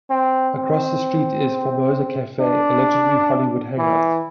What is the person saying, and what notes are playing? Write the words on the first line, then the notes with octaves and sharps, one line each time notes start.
Across the street is the Formosa Cafe, a legendary Hollywood hangout.
C4
C4
D4
E3